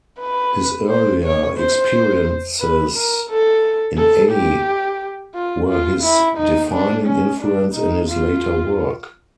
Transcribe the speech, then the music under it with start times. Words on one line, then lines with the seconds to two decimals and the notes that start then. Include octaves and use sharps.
His earlier experiences in Ay were his defining influence in his later work.
0.20 B4
0.89 C5
1.24 C#5
1.58 C5
2.60 B4
2.96 A#4
3.30 A4
3.98 A4
4.32 G4
5.34 F4
5.69 F4
6.04 E4
6.38 D#4
6.73 D4
7.07 C#4
7.40 D4
7.74 D#4
8.09 F4